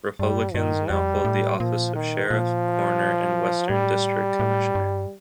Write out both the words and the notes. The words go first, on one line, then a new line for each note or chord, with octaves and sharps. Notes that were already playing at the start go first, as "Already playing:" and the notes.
Republicans now hold the office of Sheriff, Coroner, and Western District Commissioner.
G2 G3
G2 D#3
F2 G3
A2
A#2 F3
D#3
A#2 F3
A2 G3
A2
G2